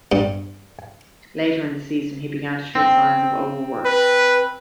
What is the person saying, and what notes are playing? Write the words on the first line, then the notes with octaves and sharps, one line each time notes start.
Later in the season, he began to show signs of overwork.
G2
C4
B4